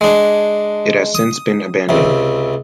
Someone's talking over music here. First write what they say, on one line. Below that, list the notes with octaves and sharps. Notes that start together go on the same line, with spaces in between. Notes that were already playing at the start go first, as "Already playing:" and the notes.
It has since been abandoned.
G#3 D4
D#6
C#2 C3